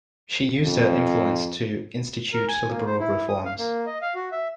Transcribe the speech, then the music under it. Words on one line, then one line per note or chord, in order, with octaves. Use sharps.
She used her influence to institute liberal reforms.
F2
A#4
G#5
A#3
C5
E4
D#6
F5
A#3
D#5
F5
F#4
E5